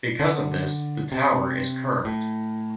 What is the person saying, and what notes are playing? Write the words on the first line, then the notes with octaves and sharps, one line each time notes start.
Because of this, the tower is curved.
D3
C3
A2